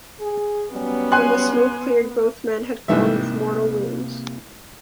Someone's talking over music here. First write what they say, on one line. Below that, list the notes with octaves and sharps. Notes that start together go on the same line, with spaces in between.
When the smoke cleared both men had fallen with mortal wounds.
G#4
F#3 G3 B3 C#4
G#5 C6 F#6
A1 G#2 C3 G3 A#3 E5